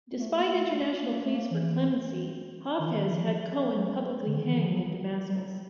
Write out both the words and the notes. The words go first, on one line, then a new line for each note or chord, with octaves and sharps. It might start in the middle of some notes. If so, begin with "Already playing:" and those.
Despite international pleas for clemency, Hafez had Cohen publicly hanged in Damascus.
A#3
A3
A#3
A3
A3
A#3
A3
A#3
E3
D#3
E3
D#3
F#3
F3
F#3
D3
D#3
E3
F3
F#3
G3
F#3